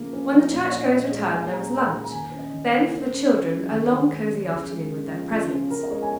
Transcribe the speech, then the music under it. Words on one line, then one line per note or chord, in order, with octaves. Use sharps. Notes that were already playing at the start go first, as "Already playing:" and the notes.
When the churchgoers returned there was lunch; then, for the children, a long, cosey afternoon with their presents.
Already playing: C#3 F3 A#3
C#4
F3
A#2 C#5
D#5
C#4 C#5
A#2 D#5
G#3 F5
A#2 G#5
C#4 A#5
A#2 A#5
A#3 A#5
A#5
D#3 G#5
C#4
D#5
D#3
A#4
A#3
C#3
C#4
C#3
G#3
D#3
D#3
C#4
C#4
C#3 G#4
G#3
C#3
F3
C#3 F4
C#4 F4
C#3 A#4
D#5
G#3 C#5
G#5